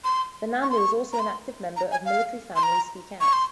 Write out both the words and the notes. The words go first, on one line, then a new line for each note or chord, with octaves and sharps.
Fernando is also an active member of Military Families Speak Out.
C6
C#6
C6
C#6
A#5
C6
A#5
G#5
F5
C6
A#5
C#6
C6